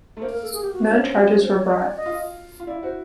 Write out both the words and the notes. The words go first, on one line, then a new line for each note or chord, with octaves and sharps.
No charges were brought.
A3
A#3 C5
A#4
A4
G#4
G4
F#4
D4
C#4
C4
F#4
C5
C#5
D5
D#5
D5
D#5
F4
F4
E4 D5
F#4 C5